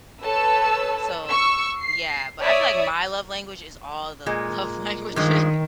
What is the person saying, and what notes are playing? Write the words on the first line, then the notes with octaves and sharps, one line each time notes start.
So, yeah, but I feel like my love language is all the love languages.
A4 B4 C#5 A5 E6
C#6 E6
C7
C#5 D5 E5 D#6
A#2 G#3
G2 D#3 F3 G#3